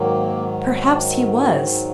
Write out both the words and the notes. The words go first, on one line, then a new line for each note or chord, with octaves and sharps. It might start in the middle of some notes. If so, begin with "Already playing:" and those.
'Perhaps he was.
Already playing: G#2 D#3 F#3 A#3